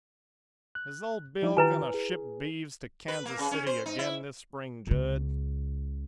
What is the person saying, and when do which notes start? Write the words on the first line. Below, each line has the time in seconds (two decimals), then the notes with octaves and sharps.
Is old Bill going to ship beeves to Kansas City again this spring, Jud?'
0.75 F#6
1.43 F3 D#4 E4
1.57 D#3 E4 F4 G4 B4 G#5
1.94 G#4
3.08 B4
3.25 A#3
3.39 C#3
3.51 C#4
3.66 C5
3.86 D#4
3.99 E4
4.87 C#2 C#3